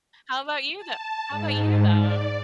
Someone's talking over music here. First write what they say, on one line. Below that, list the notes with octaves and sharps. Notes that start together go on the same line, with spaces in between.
how about you though How about you though?
A5
G#2
D5